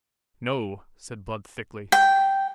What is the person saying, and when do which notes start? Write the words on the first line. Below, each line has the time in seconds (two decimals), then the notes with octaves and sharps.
"No," said Blood thickly.
1.92 G5